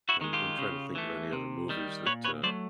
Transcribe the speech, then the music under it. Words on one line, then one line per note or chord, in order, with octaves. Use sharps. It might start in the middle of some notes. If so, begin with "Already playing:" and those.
I'm I'm tryna think of any other movies that, uh,
E4 F#4
D#3 G#3
F4 G4
C#3
E3 A3
C3
D#3 G3
A#2 B4 C#5
B4 C#5
F#3 A3 C5 D5